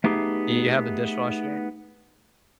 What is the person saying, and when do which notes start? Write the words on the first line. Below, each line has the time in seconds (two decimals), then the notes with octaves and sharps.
Do you have a dishwasher?
0.04 A3 B3 D#4 G4 G#4